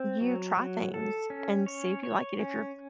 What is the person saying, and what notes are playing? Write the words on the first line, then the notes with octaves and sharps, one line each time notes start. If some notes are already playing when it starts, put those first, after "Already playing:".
you try things and see if you like it, if you're
Already playing: C4
F#3
F#3
A4
C#4
C#5
C#5
C#4